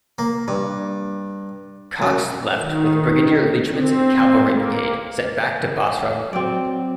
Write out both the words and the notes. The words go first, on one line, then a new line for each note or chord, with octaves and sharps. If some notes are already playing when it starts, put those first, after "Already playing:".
Cox left with Brigadier Leachman's cavalry brigade sent back to Basra.
A#3
G2
F#2
D#3
C4
A#3
F#3 C4 D5